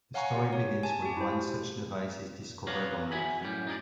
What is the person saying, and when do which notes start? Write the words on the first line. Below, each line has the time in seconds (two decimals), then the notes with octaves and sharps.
The story begins when one such device is discovered on Earth.
0.14 C#5 F5 F#5 G#5 A#5 C#6
0.36 G4
0.53 C#5
0.83 G#5 A5
1.02 F#4 G4
1.17 E4 C5
2.67 B4 C#5 D5 F5 F#5 A#5
3.12 F#4 G#4 E5 G#5 B5
3.41 F#2 A2 G3
3.67 D#4 G#4 A4 D5